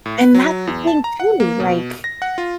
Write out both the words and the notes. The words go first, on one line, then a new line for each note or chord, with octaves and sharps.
And that's the thing, too, like,
A2
B4
F#3
E2
A5
A#5
F#5
A#3
B2
A#6
F#5
F4